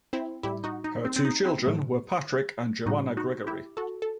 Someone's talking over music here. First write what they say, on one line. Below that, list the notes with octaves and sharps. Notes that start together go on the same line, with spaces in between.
Her two children were Patrick and Joanna Gregory.
C4 E4
A2 G3 E4 G4
D#4 F#4
D#4
C4
C4
D#4
C4 E4
A2 F#3 A3
A2 G3 D#4 F#4
D#4 F#4
E4 G4
F#4 A4
A4